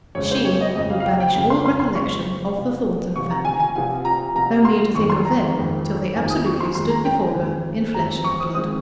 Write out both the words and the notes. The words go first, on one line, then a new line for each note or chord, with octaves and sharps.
She would banish all recollection of the Thornton family,--no need to think of them till they absolutely stood before her in flesh and blood.
F2 C#3 G#3 C#5
C5
C#5
D#5
F2 C#3 G#3 D#5
F5
F5
G5
G5
F2 C#3 G#3 G5
C6
C6
C6
F2 C#3 G#3 C#6
C2 C3 F3
C2 C3 F3 C#6
A#5
G#5
G#5
C2 C3 F3 G#5
A#5
C2 C3 F3 A#5
C6
F2 D#3 G#3 D#4 C#6
C6
A#5
F2 D#3 G#3 D#4
F2 D#3 G#3 D#4 G#5
D#6
C#6
C6
F2 D#3 G#3 D#4 C6
A#5
G5
G#5
F2 D#3 G#3 C4
F2 D#3 G#3 C4 A#5
C#6
D#6
D#3 G#3 C4 D#6